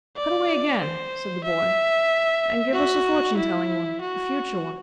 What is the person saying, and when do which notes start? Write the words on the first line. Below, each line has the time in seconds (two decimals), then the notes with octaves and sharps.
'Cut away again,' said the boy, 'and give us a fortune-telling one; a future one.'
0.16 D5
0.81 C5
1.44 E5
2.73 F#4
3.37 E4
4.01 F#4